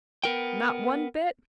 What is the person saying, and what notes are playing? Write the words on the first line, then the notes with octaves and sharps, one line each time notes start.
Not one bit?
B3 A#4 G5